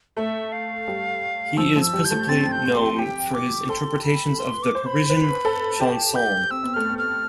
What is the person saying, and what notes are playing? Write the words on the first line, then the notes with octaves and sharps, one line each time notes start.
He is principally known for his interpretations of the Parisian chansons.
A3 E5
F5
G3
F3 E6
F3
E6
G3
G6
A3
C4 A6
G6
C6
G4 G5
D6
A4 C6
B5
B4 C6
D6
C5
B5
B4
A4
G4 A5
G4 G6
C4 E6
B3
A3 F6
B3
F6